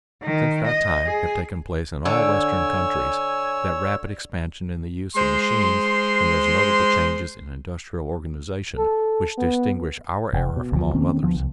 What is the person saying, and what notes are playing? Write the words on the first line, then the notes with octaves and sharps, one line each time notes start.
Since that time, have taken place in all Western countries that rapid expansion in the use of machines and those notable changes in industrial organization which distinguish our era from all others.
D#3
D#5
G#4
D3 C#5 G#5 E6
G#3 C5 C6
A4
B3
F1
B2
D2 B2 F3
D#3 A#3 C4 C#4
D2 F3 B3
C2